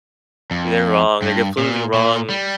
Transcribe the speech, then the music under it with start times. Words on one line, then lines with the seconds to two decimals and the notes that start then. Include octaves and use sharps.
They're wrong, they're completely wrong,
0.51 F2
1.22 G2
1.58 A#2
1.94 A#2
2.30 G3